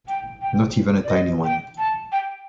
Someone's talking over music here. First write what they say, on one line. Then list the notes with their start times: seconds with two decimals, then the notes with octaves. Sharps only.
Not even a tiny one.
0.08 G5
0.42 G5
1.04 D5
1.10 D#5
1.44 G5
1.78 A5
2.12 G5